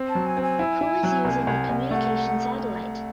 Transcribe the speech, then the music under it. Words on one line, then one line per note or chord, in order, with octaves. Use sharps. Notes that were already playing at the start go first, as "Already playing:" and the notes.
Who is Using the Communication Satellite?
Already playing: C4
A5
F#3
G#5
C4
G#5
E4
E4
F#3
C2
C2
C2
A3 F#5